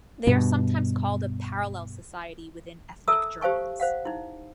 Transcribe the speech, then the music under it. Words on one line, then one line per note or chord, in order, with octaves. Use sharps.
They are sometimes called a parallel society within ethnic Germans.
G2 B2
A4 E5 A5 A#5 D#6 E6
G4 C5 F5 A5 C#6
C5 F5 F#5
D#4 E4